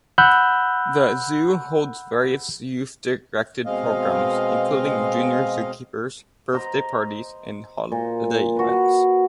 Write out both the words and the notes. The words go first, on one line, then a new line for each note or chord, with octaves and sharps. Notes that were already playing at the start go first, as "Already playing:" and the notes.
The zoo holds various youth-directed programs, including Junior Zookeepers, birthday parties and holiday events.
F#5 B5 E6 F#6 G6
B2 G#3 C4 D#5 F5
C5 D#5 A#5
A#2
F#4 B4